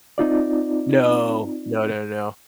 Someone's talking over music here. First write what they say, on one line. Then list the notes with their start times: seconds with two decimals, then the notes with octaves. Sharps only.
No. No, no, no.
0.18 C4 D#4 F4 D5